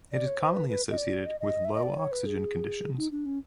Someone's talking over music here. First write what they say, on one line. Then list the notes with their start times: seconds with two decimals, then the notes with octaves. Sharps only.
It is commonly associated with low-oxygen conditions.
0.12 D5
0.27 C#5
0.41 C5
0.55 B4
0.69 B4
0.91 D#5
0.97 D5
1.26 D#5
1.40 D#5
1.65 E5
1.74 D#5
1.83 D5
1.98 C#5
2.12 B4
2.26 G#4
2.98 D#4
3.12 D4
3.26 C#4